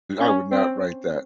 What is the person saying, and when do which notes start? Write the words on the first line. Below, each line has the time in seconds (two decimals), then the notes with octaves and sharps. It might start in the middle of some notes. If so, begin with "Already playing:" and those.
I I would not write that.
0.20 C#4
0.52 C4